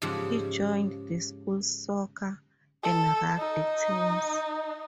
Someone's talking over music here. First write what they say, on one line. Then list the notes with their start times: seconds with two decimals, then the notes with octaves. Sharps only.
He joined the school's soccer and rugby teams.
0.02 G#2 C#3 F3 G4 F#5
2.83 A4
3.39 D#4